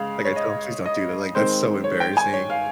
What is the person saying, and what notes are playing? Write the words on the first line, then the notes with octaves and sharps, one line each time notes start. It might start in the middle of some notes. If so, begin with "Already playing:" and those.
Like, I tell him, "Please don't do that. Like, that's so embarrassing."
Already playing: C#3 G#3 F5
C#5
D#5
D#5
D#3 G#3 C4 C5
C#5
G5
G#5
C#5
F5